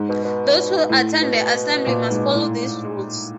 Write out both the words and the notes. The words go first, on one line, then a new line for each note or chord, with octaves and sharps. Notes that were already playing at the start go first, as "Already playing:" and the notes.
Those who attend the assembly must follow these rules.
Already playing: G#2
B2
B2
A2
B2
A#2
G#2
A2